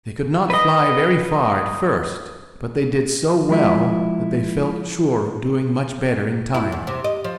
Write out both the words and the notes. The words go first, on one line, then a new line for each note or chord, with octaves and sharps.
They could not fly very far at first, but they did so well that they felt sure of doing much better in time.
B4 D#5
F3 G#3 E4
E4
E2
C3
D#5
F3